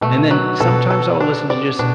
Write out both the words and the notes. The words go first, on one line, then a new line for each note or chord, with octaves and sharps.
And then sometimes I'll listen to just,
B2 A3
F#3
B2 A4
A4
D4
D5
B2 D4